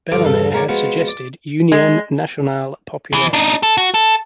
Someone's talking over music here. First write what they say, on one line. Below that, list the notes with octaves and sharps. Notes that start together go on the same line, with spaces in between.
Bellemare had suggested "Union Nationale Populaire".
G2 D3 F4 D6
E2 G2 A4 F5
F3 G#3 A#4 C#5 D5
F3 G#3 B3 F4 F#4
D5
G#3
E2 E3
D4 D#4
A4
F#4
A4